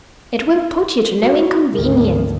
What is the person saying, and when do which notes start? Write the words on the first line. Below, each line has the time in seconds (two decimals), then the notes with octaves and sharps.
It will put you to no inconvenience.
1.21 F#4
1.74 G#1 D2 A#4